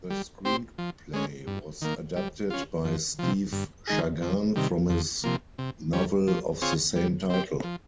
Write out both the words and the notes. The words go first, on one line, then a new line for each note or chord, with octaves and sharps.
The screenplay was adapted by Steve Shagan from his novel of the same title.
G3
C4 G4 C5
F3
G#3 C#4
G2
D#3 A#3
G3
C#4 F4
F2
C3 F3
G2
D#3 G#3 D#4 G#4
F2
C3 D#3 G3
F2
C3 F3 A#3
C3
G3 C#4
F3
C4 F4 G#4 C#5
G3
C4 G4
F3